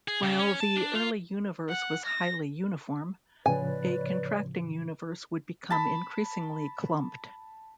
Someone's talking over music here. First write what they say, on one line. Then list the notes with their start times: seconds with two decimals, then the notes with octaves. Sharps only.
While the early universe was highly uniform, a contracting universe would become increasingly clumped.
0.08 G#4
0.23 C#3
0.39 C#4
0.60 A5
0.76 D4
0.95 F4
1.69 F#5
2.06 A#6
3.46 A2 C#3 F3 B4 C#5 D5 G#5
5.70 A5 B5